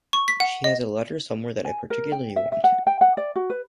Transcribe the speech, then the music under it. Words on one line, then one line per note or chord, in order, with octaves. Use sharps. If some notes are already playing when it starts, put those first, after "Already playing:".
She has a letter somewhere that I particularly want.
C#6
B6
F#5
D#5
G#5
A#4
G5
E5
E5
F#5
G5
F#5
D5
F#4
B4